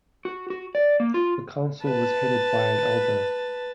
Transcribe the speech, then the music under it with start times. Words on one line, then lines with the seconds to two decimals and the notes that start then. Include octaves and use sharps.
The council was headed by an elder.
0.25 F#4
0.50 F#4
0.75 D5
1.00 A#3
1.14 F4
1.84 B4 A5